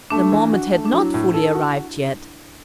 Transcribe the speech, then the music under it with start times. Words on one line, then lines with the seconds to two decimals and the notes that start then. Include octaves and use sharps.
The moment had not fully arrived yet.
0.10 A3 D4
0.32 E3
0.52 F#4
0.73 A3
0.85 D4
0.93 F#3 E4
1.14 A2
1.34 A4
1.55 F#4